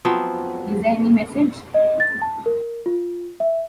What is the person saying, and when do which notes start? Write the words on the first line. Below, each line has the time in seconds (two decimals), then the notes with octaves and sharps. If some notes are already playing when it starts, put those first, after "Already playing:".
Is there any message?
0.05 F3 F#3 B3 C4
1.74 D#5
2.00 A6
2.22 A5
2.46 A#4
2.86 F4
3.40 E5